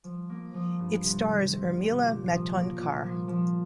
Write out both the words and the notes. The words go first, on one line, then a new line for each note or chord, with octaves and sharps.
It stars Urmila Matondkar.
F3
A#3
F3
G2
C3
D#3
C3
C3
A#2
F3
A#3
A#2
F3
F3